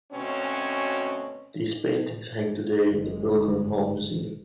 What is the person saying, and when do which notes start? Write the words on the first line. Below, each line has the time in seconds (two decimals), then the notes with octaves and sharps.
These paintings hang today in the Pilgrim Hall Museum.
0.13 D2 B2 C4 C#4
2.84 F#1 D3 G#3